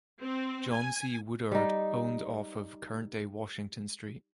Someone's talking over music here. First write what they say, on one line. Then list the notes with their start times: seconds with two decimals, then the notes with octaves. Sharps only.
John C. Woodard owned off of current day Washington Street.
0.20 C4
0.72 G#5
1.52 G3 D#4